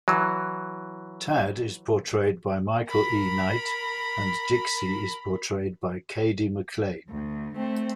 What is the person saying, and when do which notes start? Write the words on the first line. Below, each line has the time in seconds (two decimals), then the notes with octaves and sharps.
Tad is portrayed by Michael E. Knight, and Dixie is portrayed by Cady McClain.
0.08 E3 F#3
2.88 A#4 B5
7.11 D2
7.56 A3 C4